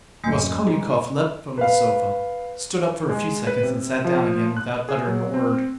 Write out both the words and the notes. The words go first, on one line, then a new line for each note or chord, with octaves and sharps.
Raskolnikov leapt from the sofa, stood up for a few seconds and sat down again without uttering a word.
D1 F#2 A3 A#3 G#5
G#2 G3
B4 F5
G#3
B4
C3
F3
F#6
G#4
F#3
C4